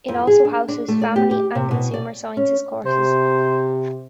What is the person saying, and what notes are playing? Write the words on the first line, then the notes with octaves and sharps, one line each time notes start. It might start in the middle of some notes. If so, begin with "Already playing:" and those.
It also houses family and consumer sciences courses.
F2
G#4
D4
D4
A3
D5
G4
G4
C3
B2
D5
C#4
C3 C5